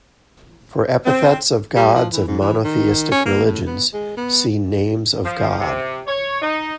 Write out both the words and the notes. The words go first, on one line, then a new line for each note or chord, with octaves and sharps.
For epithets of gods of monotheistic religions, see Names of God.
C4
G3
F3
E3
G#2
E3
D#3
C#4
A#3
A2
B3
G#3
B3
F3
C3
C#5
D#4